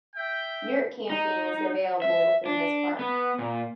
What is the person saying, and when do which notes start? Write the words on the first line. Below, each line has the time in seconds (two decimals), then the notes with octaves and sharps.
Yurt camping is available within this park.
0.15 E5 G5
1.10 D#4
2.02 E5
2.46 D4
2.99 B3
3.39 A#2